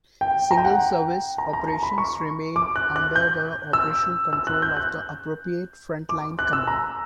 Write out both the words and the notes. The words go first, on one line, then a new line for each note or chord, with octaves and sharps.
Single-service operations remain under the operational control of the appropriate front-line command.
G5
A#5
G5
F#5
G5
A#5
A#5
A#5
B5
C#6
D6
F#6
F#6
G6
E6
E6
F#6
G6
F#6
D6
F#6
E6
A#5